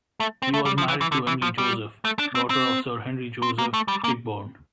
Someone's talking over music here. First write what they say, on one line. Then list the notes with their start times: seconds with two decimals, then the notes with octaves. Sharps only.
He was married to Emily Joseph, daughter of Sir Henry Joseph Tichborne.
0.20 A3
0.42 C4
0.54 A3
0.66 G3
0.78 F3
0.88 E3
1.01 E3
1.12 D3
1.27 E3
1.42 F3
1.58 G3
2.05 A3
2.19 D4
2.35 C4
2.50 C4
3.42 C4
3.58 A#3
3.74 A3
3.88 G3
4.04 A#3